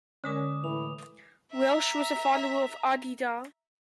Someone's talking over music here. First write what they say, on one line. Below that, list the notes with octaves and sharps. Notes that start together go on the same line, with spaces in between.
Welsh was a follower of Adi Da.
D3 G#3 C#4 A#4 D6 D#6 E7
A2 E3 F7
E5 A#5